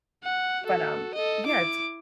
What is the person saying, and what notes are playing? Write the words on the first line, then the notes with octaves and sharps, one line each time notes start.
but, um Yeah, it's
F#5
F#4 A4
A4 D#5
E4 D6